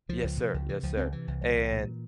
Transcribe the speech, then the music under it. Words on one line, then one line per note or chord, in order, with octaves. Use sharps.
yes, sir, yes, sir. And
C#2 F3
C#2
C3
C#2
C3 E3
C#2 F3
C#2 C4
C3 E3
C2
C2
C2
A#2